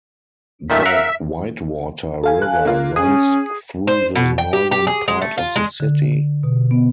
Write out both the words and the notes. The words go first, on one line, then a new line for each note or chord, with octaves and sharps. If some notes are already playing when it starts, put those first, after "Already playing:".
The Whitewater River runs through the northern part of the city.
A#2 D#3 A3 E5
A#4 F5 F#5
A4 F5 G#5
F#6
A#3 F4
C#4 G#4 D#6
C5
B2
G5
G4
G4
G#4
G#3
A3
F4
G#3
D3
B2
B3